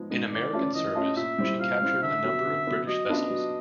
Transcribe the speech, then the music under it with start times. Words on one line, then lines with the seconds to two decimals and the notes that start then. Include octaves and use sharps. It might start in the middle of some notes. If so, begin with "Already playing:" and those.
In American service she captured a number of British vessels.
Already playing: F3 G#3 B3 D#4
0.10 G#3 B3 D#4
0.32 E3 D5
0.53 A3 C#4 F4
0.74 E3 D#5
0.95 A3 C#4 F4
1.17 A#2 E5
1.38 G3 C4 E4
1.60 A#2 F5
1.82 G3 C4 E4
2.02 D3 E5
2.24 F#3 B3
2.46 D3
2.67 F#3 B3
2.87 F#3 D#5
3.10 B3 D4 F4
3.30 F#3